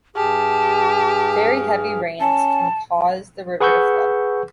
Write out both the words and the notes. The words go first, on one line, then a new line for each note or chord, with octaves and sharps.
Very heavy rains can cause the river to flood.
G2 G4 G#4 A5 F6
C#4 A5
G#4 B4 F#5 C#6 E6 G6